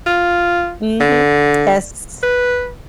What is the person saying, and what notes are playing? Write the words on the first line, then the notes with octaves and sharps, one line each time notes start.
Mhm. Yes.
F4
D3
B4